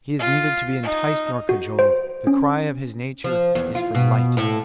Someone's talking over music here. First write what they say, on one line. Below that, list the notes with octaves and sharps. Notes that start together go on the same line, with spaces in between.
He is neither to be enticed nor cajoled. The cry of his nature is for light.
F4
D#4
F#4
C5
C#4
F3
E2
F4
B2
A2